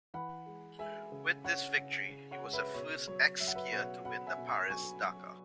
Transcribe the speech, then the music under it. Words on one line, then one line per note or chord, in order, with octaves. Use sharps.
With this victory, he was the first ex-skier to win the Paris-Dakar.
E3 F#5 B5
G#3
G#3 E5 G#5
C#3
C#3 C#5 F#5
C#3
C#3
C#5 F#5
G#3
B4 E5
B2 C#5
F#3 C#5
F#3 E5
F#5
B4 E5
B2 C#5 F#5
B2 F#5 B5
E5 G#5
B2
G#5 C#6
F#3 G#5 C#6
F#3